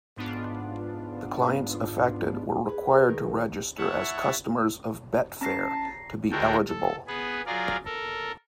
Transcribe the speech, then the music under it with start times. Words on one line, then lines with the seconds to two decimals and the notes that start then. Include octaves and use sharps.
The clients affected were required to register as customers of Betfair to be eligible.
0.17 G#2 B3 D4 F4
2.69 G#4 B4
3.08 D#3 D#4 A#4
3.77 E4 C#5 E5 F#5 A5
5.41 C#4 A5 A#5 A#6 C7
6.31 D2 G#3 F#4 A4 A#4 G5
6.68 A4
7.07 B3 G#4 B4
7.46 F#3 F4 G#4 A#4 D5 F5
7.85 A4 A#4